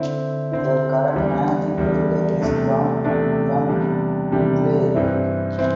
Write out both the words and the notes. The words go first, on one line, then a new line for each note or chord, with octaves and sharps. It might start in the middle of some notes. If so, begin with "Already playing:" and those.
The current managing editor is John M. Findlay.
Already playing: D3 C4 E4
D3 C4 E4
E2 E3 G3
E2 E3 G3
E2 C3 A3 D4
E2 C3 A3 D4
E2 C3 G3 D4
E2 C3 G3 D4
G2 E3 C4 E4
E3 C4 E4